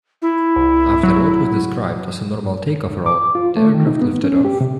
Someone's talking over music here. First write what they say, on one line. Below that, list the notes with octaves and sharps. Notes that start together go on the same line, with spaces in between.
After what was described as a normal takeoff roll, the aircraft lifted off.
E4
C2
F#3
D6
F4
A3
D#3
D#4
B3
C#4
G4
C3